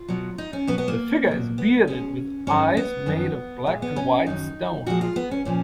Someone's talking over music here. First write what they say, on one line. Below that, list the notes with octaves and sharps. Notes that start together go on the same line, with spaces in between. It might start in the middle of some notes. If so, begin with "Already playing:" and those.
The figure is bearded with eyes made of black and white stone.
Already playing: F4
B2 F#3
D#4
C#4
B2 F#3 B3
B3
A#3
B2 F#3
B3
B2 G#3 C#4
G#2 F#3 C#4
B3
F#2 D#3 F#3
A#2 G#3
B3
C#4
F#2 D#3 F#3 D#4
A#2 F3 G#3 F#4
F4
B3
C#4
A#2 F3 C#4